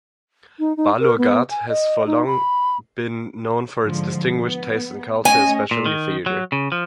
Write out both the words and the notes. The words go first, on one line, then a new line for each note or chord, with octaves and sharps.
Balurghat has for long been known for its distinguished taste in culture, especially theatre.
D#4
D#4
A#4
B3
G#5
D#5
D#4
B5
G#2 D3 F3
B3
A3 C#4 D#5 G#5
A#2
D#3
F#3
C#3
F3